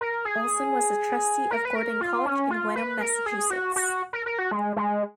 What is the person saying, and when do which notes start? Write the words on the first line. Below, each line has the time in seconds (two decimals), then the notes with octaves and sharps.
Olsen was a trustee of Gordon College in Wenham, Massachusetts.
0.01 A#4
0.25 G#4
1.51 A#4
1.65 B4
1.75 A#4
2.01 F4
2.26 C#4
2.51 F4
2.76 B4
3.01 A#4
3.26 G#4
3.50 F#4
3.76 F#4
4.13 A#4
4.26 A#4
4.39 F#4
4.51 G#3
4.76 G#3